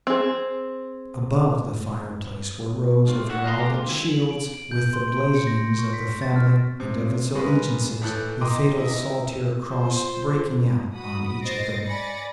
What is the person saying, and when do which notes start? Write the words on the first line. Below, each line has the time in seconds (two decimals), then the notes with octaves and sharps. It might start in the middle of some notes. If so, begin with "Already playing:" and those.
Above the fireplace were rows of heraldic shields with the blazonings of the family and of its alliances, the fatal saltire cross breaking out on each of them.
0.07 C4 G#4
3.07 G#2 C3 A3 F4
3.30 F#4 E5 F#5
3.44 D#5 F5 F#5 G#5 A#5 C6
3.59 A3 A#3 G4 A4 A#4
3.74 F4
3.86 D2 D#3 C4 E5 G#5
4.08 F#7
4.31 D7
4.54 D7
4.71 G6
4.93 C6
5.08 D7
5.35 C#7
5.47 A#6
5.79 C#6
5.94 B6
6.22 A6
6.36 F6
6.80 C3
7.35 G3 G#3 A#3 B4 D#5 C#6
8.02 A2 E3 A4 F#6 G6
8.41 D#5 G5 A#5 C6 D6
8.78 E4 D#5
9.68 F4 C5
10.94 F#4 B5 D#6
11.42 C5 D#5 A6 A#6 C7 D7
11.84 D5 G#5 B5 A6 A#6 C#7